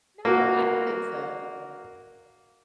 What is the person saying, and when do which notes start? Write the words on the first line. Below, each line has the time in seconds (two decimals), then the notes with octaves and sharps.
No, I don't think so.
0.25 A#3 F#4